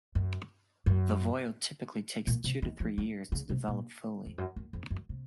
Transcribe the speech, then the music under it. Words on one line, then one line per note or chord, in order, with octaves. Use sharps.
The "voile" typically takes two to three years to develop fully.
F#2
F#2
A#2
C3
D#3
F3
F#3
C#3
C3
A#2
F2
F#2
F#2
F2
F#2
C3